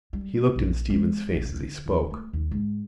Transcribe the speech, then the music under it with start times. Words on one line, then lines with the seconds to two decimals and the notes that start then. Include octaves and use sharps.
He looked in Stephen's face as he spoke.
0.13 G3
0.56 A#1
0.90 G#3
1.34 A1
1.45 D#1
1.59 D3
1.86 D#2
2.10 A3
2.33 D#2
2.51 G#2